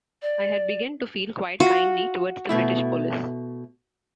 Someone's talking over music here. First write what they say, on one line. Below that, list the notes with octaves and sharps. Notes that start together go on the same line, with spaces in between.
I had begun to feel quite kindly towards the British police.
D5
F4 F#4
B2 A3 E4